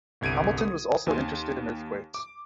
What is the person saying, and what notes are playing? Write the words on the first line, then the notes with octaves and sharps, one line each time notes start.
Hamilton was also interested in earthquakes.
G1 C2 G#6 D7 D#7
D#6
D#2 G#5 C6
D6